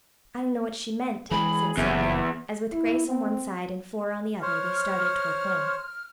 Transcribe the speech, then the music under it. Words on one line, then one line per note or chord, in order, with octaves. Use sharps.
"I don't know what she meant," said Sylvia as, with Grace on one side and Flora on the other, they started toward home.
E3 G#3 G#4 B5
F#1 E2 A2 C3 E5
E4
C4
C5 C#5 F6